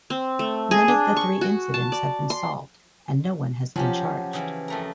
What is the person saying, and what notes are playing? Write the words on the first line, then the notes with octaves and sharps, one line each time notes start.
None of the three incidents have been solved and no one has been charged.
C4
A3
G#4
D4
C#6
F#4
A5
D5
C6
F3 F#3 C#4 G4
C#3 E3
F2 A3 A#4